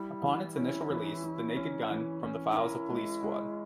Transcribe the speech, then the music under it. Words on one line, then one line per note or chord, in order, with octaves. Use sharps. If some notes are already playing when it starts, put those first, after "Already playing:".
Upon its initial release, The Naked Gun: From the Files of Police Squad!
Already playing: G3 E4
E3
C#4
E3
E3
C#4
E3
C#4
D#4
E4 A#4
G#3
G#3